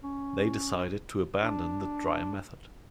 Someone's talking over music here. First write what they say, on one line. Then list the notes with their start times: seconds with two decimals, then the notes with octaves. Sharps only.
They decided to abandon the dry method.
0.04 C#4
1.42 D4